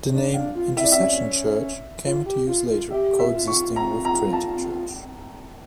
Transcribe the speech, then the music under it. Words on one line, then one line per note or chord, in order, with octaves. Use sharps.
The name "Intercession Church" came into use later, coexisting with Trinity Church.
D4
D4 F5
F4
E4 E5
D5
E5
C#4
F4
G4
F4
F4
G4 E5
E5
F4
C#6
A#5
A#5
A5